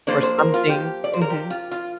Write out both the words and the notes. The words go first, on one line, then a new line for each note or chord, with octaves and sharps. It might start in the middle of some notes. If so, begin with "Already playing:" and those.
or something. Mhm.
F3 A#3 D4 C5
C5
A#4
F4
G4
D5
C5
A#4
G4
F4
F4